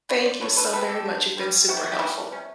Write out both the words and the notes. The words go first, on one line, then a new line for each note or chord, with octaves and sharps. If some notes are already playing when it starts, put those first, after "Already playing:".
thank you so very much, you've been super helpful.
A#3 B4 C#5
F3
C5 D5
D3 B4 C#5
A4 B4
G3 C4 A4 B4
G4 A4
D3
G3 C4
C3 F#4
G4
F#4
G4
E3 G3 B3 E4 F#4
C3 C#4